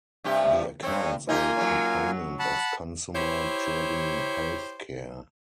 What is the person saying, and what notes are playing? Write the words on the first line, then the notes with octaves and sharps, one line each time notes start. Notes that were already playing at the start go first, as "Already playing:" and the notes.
The accounts are a component of consumer-driven health care.
G2 C3 G4
G2 C4 C#5
A#3 D#4 F4 G4 G#5
F#3 C#4
F#5 A5 B5
E4 G4 C5 C#5